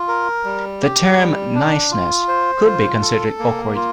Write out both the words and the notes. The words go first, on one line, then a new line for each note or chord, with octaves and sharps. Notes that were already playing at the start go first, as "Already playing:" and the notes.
The term "niceness" could be considered awkward.
Already playing: F4
A#4
G3
G4
G3
D4
F4
C5
F4
A4
A#3
F4